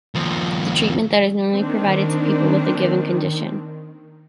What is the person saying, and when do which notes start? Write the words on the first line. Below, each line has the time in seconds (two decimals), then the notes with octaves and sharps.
The treatment that is normally provided to people with a given condition.
0.15 D#2 F3
1.54 D#3 A#3 C4 D4